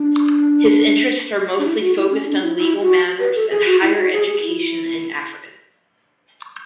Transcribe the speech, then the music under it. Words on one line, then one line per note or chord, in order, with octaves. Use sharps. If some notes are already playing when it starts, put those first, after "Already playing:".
His interest are mostly focused on legal matters and higher education in Africa.
Already playing: D4
D4
E4
F#4
E4
C#4
D4
E4
E4
F#4
B4
A4
G#4
F#4
E4
F#4
G#4
G#4
E4